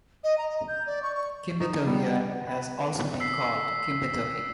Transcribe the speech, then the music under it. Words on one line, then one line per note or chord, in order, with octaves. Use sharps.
"Kimbetohia" has also been called "Kimbetohi".
D#5
A#5
D#5
G6
D5
C#6
C#6
D#4
G3 B3
B4
E6 B6 C7